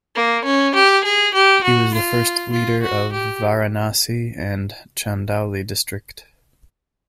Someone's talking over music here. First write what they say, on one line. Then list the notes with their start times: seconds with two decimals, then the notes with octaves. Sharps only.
He was the first leader of Varanasi and Chandauli district.
0.15 A#3
0.45 C#4
0.75 G4
1.04 G#4
1.34 G4
1.63 F#4
1.94 F4
2.52 F4
2.82 F#4
3.12 G4